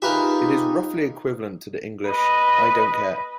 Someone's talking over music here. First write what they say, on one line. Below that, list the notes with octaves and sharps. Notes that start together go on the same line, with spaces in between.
It is roughly equivalent to the English 'I don't care'.
D#4 F4 G4 G#4 A#4 B4 E5
B4 D#5